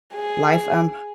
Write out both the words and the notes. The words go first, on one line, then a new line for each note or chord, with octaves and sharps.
life, um,
G#4